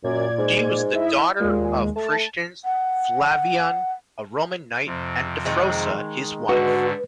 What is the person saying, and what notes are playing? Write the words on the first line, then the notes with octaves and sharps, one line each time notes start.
She was the daughter of Christians, Flavian, a Roman knight, and Dafrosa, his wife.
F#2 A#2 D5 G#6
G#2
E4 D#5 E5
D#2 A#2 G#3
A3 A5
F#5
F2 C3
D#3 G#3 G#4
G#2 D3 F#4 B4